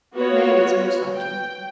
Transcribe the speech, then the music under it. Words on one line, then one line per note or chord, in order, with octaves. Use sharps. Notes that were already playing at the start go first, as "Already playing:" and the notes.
Mary is most like him.
B3 F4 F#4 C#5
G5